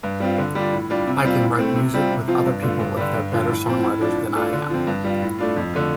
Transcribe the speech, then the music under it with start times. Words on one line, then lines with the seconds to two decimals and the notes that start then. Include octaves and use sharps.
I can write music with other people if they're better songwriters than I am.
0.03 G2
0.20 G3 C4 F4
0.38 D3
0.55 G3 D4 F4
0.72 A2
0.90 G3 D4 F4
1.07 C3
1.24 G3 C4 F4
1.42 A2
1.58 A3 C4
1.76 C3
1.94 G3 C4 F4
2.11 C3
2.28 F3 C4 F4
2.46 G2
2.62 D3 A3 F4
2.79 G2
2.97 D3 G3
3.14 G2
3.32 D3 F3
3.49 A2
3.66 F3 C4
3.83 A2
4.01 F3 D4
4.18 A2
4.35 A3 D4 F4
4.53 D3
4.70 F3 C4
4.87 G2
5.04 G3 F4
5.22 A2
5.38 A3 D4 F4
5.56 F2
5.74 D3 A3 F4